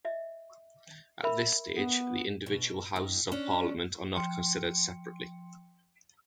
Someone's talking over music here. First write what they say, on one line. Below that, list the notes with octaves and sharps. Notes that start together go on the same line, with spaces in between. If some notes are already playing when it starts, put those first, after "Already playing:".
At this stage, the individual houses of parliament are not considered separately.
D#5 E5
A#4 E5 B5
B3
B2
D#3
C#4 D4
F3 G5 C6 C#7